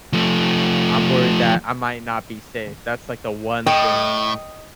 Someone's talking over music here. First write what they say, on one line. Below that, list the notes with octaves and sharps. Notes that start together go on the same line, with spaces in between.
I'm worried that I might not be safe, that's, like, the one thing.
F3 A3
A2 D#5 G5